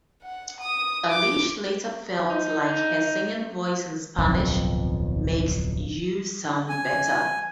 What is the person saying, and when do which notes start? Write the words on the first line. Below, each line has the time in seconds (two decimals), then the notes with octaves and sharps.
Eilish later felt like her singing voice in Spanish "makes you sound better".
0.23 F#5
0.60 D#6
1.10 D6
2.30 D#4
4.18 D1 B1 F2
6.69 G#5